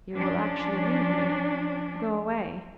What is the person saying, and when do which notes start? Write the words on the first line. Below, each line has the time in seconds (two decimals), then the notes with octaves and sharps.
"You will actually leave me--go away?"
0.12 F3 C#4 D4